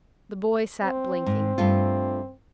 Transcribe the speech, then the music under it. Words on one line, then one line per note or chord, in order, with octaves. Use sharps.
The boy sat blinking.
C4
G#2
G2 A3 F4